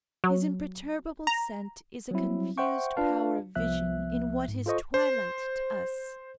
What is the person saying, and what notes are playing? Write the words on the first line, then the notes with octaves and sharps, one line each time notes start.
His imperturbable scent is a confused power of vision in what is twilight to us.
F#3
A#5
F#3 G3 C4 E4
C5 E5 F#5 G5 C#6
D4 F4 B4 F5 A5
C2 F3 B3 E5 F#6
G#2
F4 A4 C5 D#5 C#6
C5